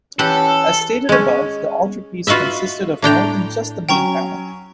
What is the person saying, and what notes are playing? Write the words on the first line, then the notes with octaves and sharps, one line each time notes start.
As stated above, the altarpiece consisted of more than just the main panel.
E3 C#4 G4 A4 F#5
G#3 C#4
F4 F#4 B4 D#5 E5
A2 D4 G5 A#5
F#3 C#4 G5 A#5 C#6